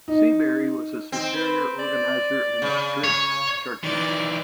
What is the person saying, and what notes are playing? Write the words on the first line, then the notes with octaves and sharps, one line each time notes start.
Seabury was a superior organizer and a strict churchman.
D#4
C4 D#4
B4
D5
C#3
C#5
D#3 E3 D5